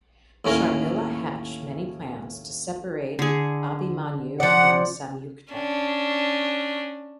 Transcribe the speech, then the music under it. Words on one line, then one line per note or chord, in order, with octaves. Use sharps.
Sharmila hatch many plans to separate Abhimanyu and Samyukta.
D#2 A2 C#4 A#4
D3 G#4
F3 D5 F#5
C#4 D4